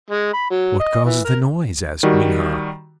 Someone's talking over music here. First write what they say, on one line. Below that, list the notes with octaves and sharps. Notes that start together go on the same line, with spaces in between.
"What causes the noise?" asked Minha.
G#3
B5
F#3
D#5
E3
A#4
D#3 G3 F#4